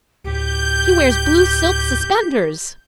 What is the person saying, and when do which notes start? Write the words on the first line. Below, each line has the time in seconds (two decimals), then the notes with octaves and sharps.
"He wears blue silk suspenders."
0.24 D2 A2 G4 G6